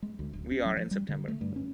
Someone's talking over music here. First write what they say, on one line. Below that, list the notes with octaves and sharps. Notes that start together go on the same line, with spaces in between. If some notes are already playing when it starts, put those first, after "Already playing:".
We are in September.
G#3
D2
D1
C#4
F#3
F3
G3
D3
A3
G2
C#4